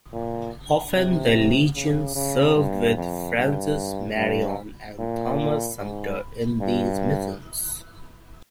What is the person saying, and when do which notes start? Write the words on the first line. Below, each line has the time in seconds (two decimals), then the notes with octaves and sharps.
Often, the Legion served with Francis Marion and Thomas Sumter in these missions.
0.13 A#2
0.94 C3
1.75 C#3
2.15 C#3
2.56 G2
2.97 F2
3.38 G2
4.17 G2
4.99 A#2
5.80 G#2
6.61 G2